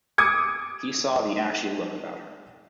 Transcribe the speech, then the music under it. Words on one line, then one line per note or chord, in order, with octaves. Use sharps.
He saw the ashy look about her.
D6 D#6 G#6 C#7